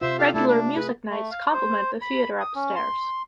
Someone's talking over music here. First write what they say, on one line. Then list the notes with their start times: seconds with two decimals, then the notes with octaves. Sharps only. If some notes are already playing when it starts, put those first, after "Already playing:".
Regular music nights complement the theatre upstairs.
0.01 C3 F4 C5 E5 E6
0.18 G4 A4 F5
0.34 A3 D4 E4 A4
0.46 D4
0.76 G#4 B4
1.10 A3
1.31 F5
1.53 C5
2.01 B5
2.41 D#6
2.55 C#4
2.76 C6